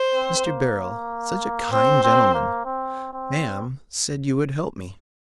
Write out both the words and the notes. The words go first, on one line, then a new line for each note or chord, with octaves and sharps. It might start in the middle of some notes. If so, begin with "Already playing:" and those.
"Mr. Beryl--such a kind gentleman, ma'am--said you would help me."
Already playing: C5
C4
A#3
C4 C5
C4
A#3
C4
C4